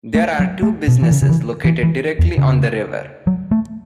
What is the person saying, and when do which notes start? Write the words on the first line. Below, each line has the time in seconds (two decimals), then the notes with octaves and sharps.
There are two businesses located directly on the river.
0.15 A3
0.39 F#3
0.63 A3
0.88 B2
1.02 E3
1.11 C#3
1.22 C#3
1.29 E3
1.65 E3
1.83 E3
2.19 E2
2.38 C#3
3.27 F#3
3.51 A3